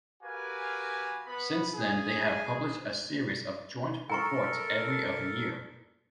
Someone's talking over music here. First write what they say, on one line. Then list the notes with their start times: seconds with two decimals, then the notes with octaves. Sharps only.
Since then they have published a series of "Joint Reports" every other year.
0.23 F#4 G4 A#4 B4 F5 G#5
1.26 B3 B5
1.74 G#4
4.10 A4 A#4 G5 A#5 C#6